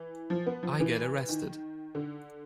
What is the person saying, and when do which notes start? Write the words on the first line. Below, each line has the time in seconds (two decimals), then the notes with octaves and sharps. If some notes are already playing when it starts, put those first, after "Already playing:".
I get arrested.
Already playing: E3
0.30 F3
0.47 B3
0.63 F3
0.80 E3
1.29 D#3
1.95 D3